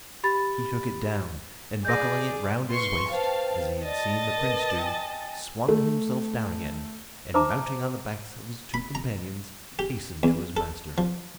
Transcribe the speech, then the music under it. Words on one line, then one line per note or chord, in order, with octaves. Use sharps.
He took it down, and buckling it round his waist, as he had seen the prince do, swung himself down again, and mounting on the backs of his two companions, hastened to his master.
G4 B5 A6
G#4 D5 G6 A#6
B4 C6 C#6
B4 C5 F5 G5 A5
D5 D#5 A5 A6
A#4 B4
G5 G#5
A3
C5 E5 A5 A#5 D6
B5
A#5
G4
E2
A4
F3